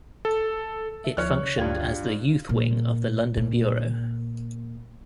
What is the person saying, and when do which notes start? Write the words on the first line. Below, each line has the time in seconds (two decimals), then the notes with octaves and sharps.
It functioned as the youth wing of the London Bureau.
0.25 A4
1.04 E5
1.17 D2 F3 C#5 F6 F#6
1.44 C#3
1.58 D2 G2 F4 G4 G#6
2.03 D#4
2.49 A#2
3.37 A#2